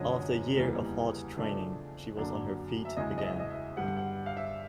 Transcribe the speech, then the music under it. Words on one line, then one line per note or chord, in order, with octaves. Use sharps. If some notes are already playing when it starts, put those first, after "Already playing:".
After a year of hard training, she was on her feet again.
Already playing: F#2 D3 F3 G#3 C#4 D#5
E2 C#3 E3 G3 A#3
C#3 F3 A3 D4
F#2 D3 F#3 A#3 D4
E5
E2 C#3 E3 G#3 D#5
D#5
E5
D#5
E5
G2 D3 G3 F#5
F#5
F5
E5